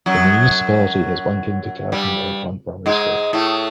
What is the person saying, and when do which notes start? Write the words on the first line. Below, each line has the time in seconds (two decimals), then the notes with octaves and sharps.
The municipality has one kindergarten and one primary school.
0.06 F#2 F#3
1.92 G2 G3
2.86 G#2 G#3
3.33 A2 A3